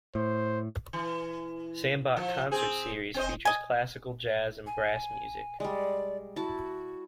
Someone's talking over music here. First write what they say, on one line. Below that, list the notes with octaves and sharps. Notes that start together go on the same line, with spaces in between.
Sandbach Concert Series features classical, jazz and brass music.
A2 C5
E3
F3
C4 G#4
C4 C5 D#5
D#5 G#5
G#5
G3 G#3 D5
E4 F#4 A5